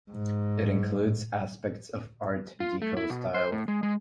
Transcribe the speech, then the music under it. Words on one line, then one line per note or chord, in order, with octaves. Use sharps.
It includes aspects of Art Deco style.
G#2
F4
A3
E4
B2
C5
A2
G#3
G#3